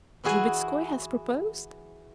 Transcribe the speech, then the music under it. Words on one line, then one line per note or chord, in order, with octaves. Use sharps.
"Drubetskoy has proposed?"
E3 E4 F#4 G#4 G#5